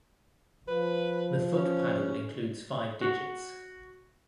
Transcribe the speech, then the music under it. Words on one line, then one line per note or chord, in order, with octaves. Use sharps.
The foot paddle includes five digits.
F3 B4
C#4
F#4